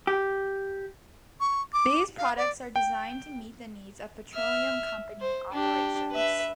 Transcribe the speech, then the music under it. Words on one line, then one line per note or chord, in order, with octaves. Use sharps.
These products are designed to meet the needs of petroleum company operations.
G4
C#6
D6
F5
D5
G5
E5 F6
C5
D4 G4
B4 E5